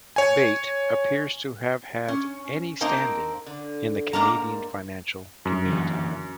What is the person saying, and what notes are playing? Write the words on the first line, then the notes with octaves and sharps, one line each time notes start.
Bate, appears to have had any standing in the Canadian financial community.
C#5 G#5
C#4
A#3 C4 D#4 A#4 G5 A5
D3
G#2 A#3 D4 A#4 A5 A#5
F#2
D3 E3 A#3